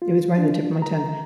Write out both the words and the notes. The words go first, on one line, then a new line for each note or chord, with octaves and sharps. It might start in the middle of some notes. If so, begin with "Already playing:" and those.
it was right on the tip of my tongue.
F4
D4
A#5